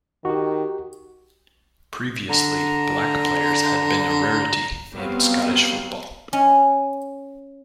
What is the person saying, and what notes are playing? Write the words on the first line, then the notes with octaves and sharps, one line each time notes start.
Previously, black players had been a rarity in Scottish football.
D#3 F#4 G4
D3 A#5
F#3 G3 B3 C4 F5
C#4